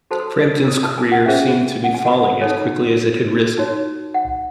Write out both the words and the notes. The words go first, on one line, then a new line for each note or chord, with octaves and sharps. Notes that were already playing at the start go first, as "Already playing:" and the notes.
Frampton's career seemed to be falling as quickly as it had risen.
F#4 A4 C5 A5
E6
D#6
A5
G#5
F#5
C#4 G#4 C5 E5
F#5
G#5
F#5
D#4 A4 C#5 G#5
D#4 F#4 C#5
F#5